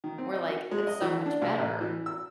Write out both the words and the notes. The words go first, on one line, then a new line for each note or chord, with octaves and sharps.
we're like, "It's so much better."
D#3
C4
D#5
F#4
G#3
D#5
E3
D4
C2
A1
E3
E6